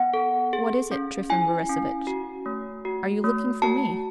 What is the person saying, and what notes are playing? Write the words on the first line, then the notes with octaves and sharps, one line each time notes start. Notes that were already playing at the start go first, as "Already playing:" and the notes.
"What is it, Trifon Borissovitch? are you looking for me?"
Already playing: B3 F#5
A4
G#4
C#4
E4 G#5
C#4
F#4
A3
F#4
A3
F#4 A5